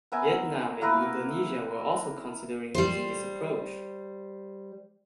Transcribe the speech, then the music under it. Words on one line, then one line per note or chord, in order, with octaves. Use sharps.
Vietnam and Indonesia were also considering using this approach.
B3 A#4 E5 G#5
A#3 E4 A#4 B4
G3 C5